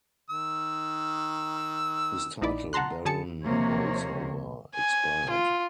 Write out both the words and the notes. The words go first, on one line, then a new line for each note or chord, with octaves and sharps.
His title “Baron Bolsover” expired.
D#3 E6
A#1 D#4 E4 D5 B5
F#5 A5 A#5 C6 F#6
D3 G#4 A5 C#7
D#2 C3 F3 A#3 C#5
G#5
F4